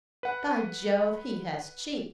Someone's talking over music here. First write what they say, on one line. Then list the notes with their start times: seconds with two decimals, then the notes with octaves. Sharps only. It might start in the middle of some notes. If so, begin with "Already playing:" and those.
By Jove, he has cheek!
0.23 B4 F#5